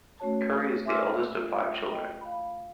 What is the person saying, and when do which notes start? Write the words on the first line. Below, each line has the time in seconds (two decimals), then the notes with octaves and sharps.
Curry is the eldest of five children.
0.20 A3 C#4 F#4 C#5 A5
0.86 E5 G#5 C6 D6 E6 F6
1.35 F4
1.91 D#5 G5
2.21 F5 B5